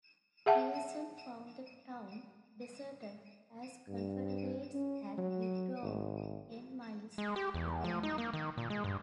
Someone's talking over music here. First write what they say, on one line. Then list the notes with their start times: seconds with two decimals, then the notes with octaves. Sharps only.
Grierson found the town deserted, as Confederates had withdrawn ten miles to the north.
0.46 G#4 E5 F#5 A5
3.88 G2
4.74 C#4
5.18 F#3
5.82 G#1
7.18 G#3
7.36 G4
7.54 E2
7.84 F3
8.03 D#4
8.18 A#3
8.33 D#3
8.58 A#2
8.70 G#3
8.84 G2